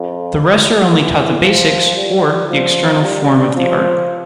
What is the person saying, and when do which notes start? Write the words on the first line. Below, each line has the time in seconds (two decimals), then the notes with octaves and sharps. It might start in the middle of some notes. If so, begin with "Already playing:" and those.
The rest are only taught the 'basics' or the external form of the art.
Already playing: F2
0.88 E3
1.41 F3
1.96 G3
2.49 F3
3.03 G3
3.56 F3